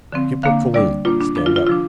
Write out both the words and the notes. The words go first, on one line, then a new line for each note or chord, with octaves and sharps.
"Pupil Toline, stand up."
D3 F3 C4
D3 A#3 D4 F5
C3 G3 D4 D5
A#2 A#3 D4 F4
D4
D3 F3 D4
F4
F4
C3 F3 D4 F4